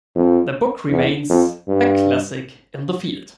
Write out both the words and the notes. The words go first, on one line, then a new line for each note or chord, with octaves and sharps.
The book remains a classic in the field.
F2
E2
F2
G2